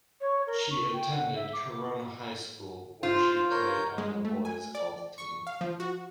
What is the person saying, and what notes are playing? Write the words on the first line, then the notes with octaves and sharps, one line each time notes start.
She attended Corona High School where she played on the boys' golf team.
C#5
A#4
C#6
G5
F#5
E5
D6
F4 C5 F5
A#4 C#5 G6
G#3
A3
G#5
D5
C#6
F5
F3
F#4